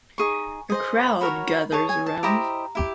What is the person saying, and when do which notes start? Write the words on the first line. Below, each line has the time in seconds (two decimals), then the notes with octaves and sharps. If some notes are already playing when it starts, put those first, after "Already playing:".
A crowd gathers around.
0.18 D#4 G#4 C#6
0.70 G#4 C5 D#5
1.21 F#4 A#4 C#5 B5
1.72 G#4 C#5 A5
1.89 G#5
2.06 A5
2.23 E4 G4 C5 D#5 A#5
2.75 E4 G4